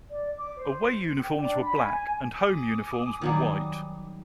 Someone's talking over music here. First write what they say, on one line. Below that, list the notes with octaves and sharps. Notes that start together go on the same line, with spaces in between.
Away uniforms were black and home uniforms were white.
D5
D6
C5
G5
D4
B5
G#5
G#5 D6 D#6
D#3 F#3 G3